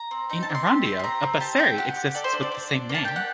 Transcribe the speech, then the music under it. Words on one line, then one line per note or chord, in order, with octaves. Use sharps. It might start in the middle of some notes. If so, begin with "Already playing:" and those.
In Erandio, a "baserri" exists with the same name.
Already playing: A#5
C4
D#4 A#5
A5
C4 D6
C6
G4
G4 C6
C6
C4 A#5
C4
G4 A5
G4 G5
G4 F#5
G4
A4 D5
C5
D4
D5
D4
D4
A#3
A5
G4 G5
F#5